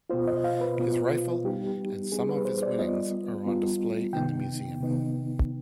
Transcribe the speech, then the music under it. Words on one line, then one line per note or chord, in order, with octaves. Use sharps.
His rifle and some of his winnings are on display in the museum.
B2 B3 F4 C5
D#5
F5
B4
B2 B3 F4
G3 B3 D#4 G4
G3 B3 D#4 G#4
B4
C5
D5
G3 B3 F4 D#5
G3 B3 F4
C3 D#3 B3 D#4 G5
C3 D#3 B3 D#4